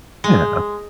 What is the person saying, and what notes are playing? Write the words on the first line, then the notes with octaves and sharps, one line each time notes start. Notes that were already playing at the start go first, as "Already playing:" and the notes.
Yeah, no.
G#3